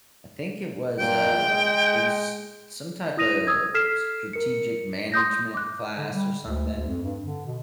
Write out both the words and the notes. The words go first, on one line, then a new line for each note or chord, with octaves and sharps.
I think it was a it was some typa strategic management class or something,
A#2 G5
G#3
E4 D#6 A#6 D#7 F7
D#6 E6 G#6
A4 F6 B6 C7 E7
A#4 C#7
C6 D#6 G6 A#6
D6 F#6
D3
G3
D2
D2
F2
G2
D3
B2